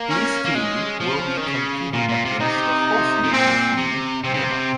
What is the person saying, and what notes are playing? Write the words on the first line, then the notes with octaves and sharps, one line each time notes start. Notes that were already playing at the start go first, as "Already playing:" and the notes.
These team will be competing against the host nation team Vietnam.
Already playing: A#3
C#4
A#3
G#3 C#4
F3
D#3
C#3
A#2 F4
A#2
C3
C3 D#4
C3
A#2 C4
C3
C3 C4
C#3
C3